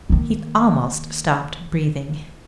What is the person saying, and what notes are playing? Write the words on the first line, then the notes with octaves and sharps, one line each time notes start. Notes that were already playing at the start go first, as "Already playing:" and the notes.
He almost stopped breathing.
D#3 A#3